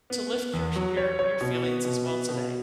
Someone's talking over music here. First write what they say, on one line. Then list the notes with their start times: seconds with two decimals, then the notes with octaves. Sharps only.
to lift your your your feelings as well today.
0.10 B3
0.32 B3
0.53 E2
0.76 F#3
0.97 C#5
1.19 C#5
1.41 B2
1.63 B3
1.85 B2
2.06 B3
2.29 B2